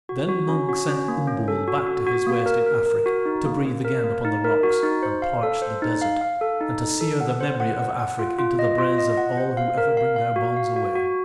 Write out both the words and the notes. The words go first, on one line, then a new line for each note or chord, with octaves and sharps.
Then Mung sent Umbool back to his waste in Afrik to breathe again upon the rocks, and parch the desert, and to sear the memory of Afrik into the brains of all who ever bring their bones away.
F#4
F#4
C#4
F#4
C#4
A#3
C#4
A4
F#4
F#4
F#4
A#3
A#4
A#4
A#4
F#4
D#4
A#3
A#3
A#4
A#3
D#4
A#4
F#4
D#4
C5
F5
A4
C5
D#4
F5
F5
A4
D#4
D#4
A4
F#5
C5
F#5
F#5
F#5
F4
F4
D#5
F4
D#5
F#5
C5
F5
A#4
F5
F5
F#4
F5
F#4
F#4